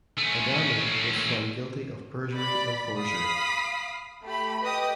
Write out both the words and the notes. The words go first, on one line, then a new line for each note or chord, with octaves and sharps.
Adamu was found guilty of perjury and forgery.
A3 C#4
D5 B5
F5 B5 D#6 B6 C7
A3 G4 B5
G4 B4 D#5 D#6